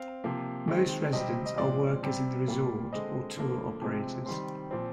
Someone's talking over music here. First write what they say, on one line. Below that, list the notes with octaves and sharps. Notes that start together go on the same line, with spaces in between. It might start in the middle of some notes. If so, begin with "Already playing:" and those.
Most residents are workers in the resort or tour operators.
Already playing: C4 F5
C3 F3 A#3
D#3 G#3 C4
C3 G3 C4 D#5
D#5
A#2 F3 G#3 C4 D5
C3 G3 C4
A#2 G3 A#3
D3 G#3 C4 D#5
D3 F3 A#3
C3 F3 G#3 C4
D#3 G3 C4 C6
A#2 F3 C4